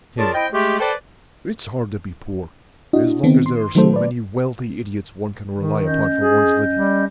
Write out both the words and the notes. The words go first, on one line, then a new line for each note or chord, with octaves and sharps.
HIM: It's hard to be poor, as long as there are so many wealthy idiots one can rely upon for one's living.
C#4 F4 G#4 A#4 D5 A5
C4 E4 D#5 G5
G#3 A3 G4
A4 B4 C5 D5 G5 A5
D4 E4 F#4 D#5
D#3 B3 C4
C6
D#3 F#3 A3 A4 C5
B4 D5
D#3
C#4 D#5 G6
G#4
G3